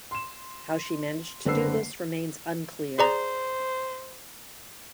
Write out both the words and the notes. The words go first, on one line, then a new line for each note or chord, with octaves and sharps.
How she managed to do this remains unclear.
C6 E7
F#1 D3 C4 B4 E6 C7
G#4 C5 D5 A#5